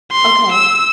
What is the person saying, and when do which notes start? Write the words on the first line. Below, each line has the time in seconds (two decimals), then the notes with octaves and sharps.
o o Okay.
0.12 C6
0.52 E6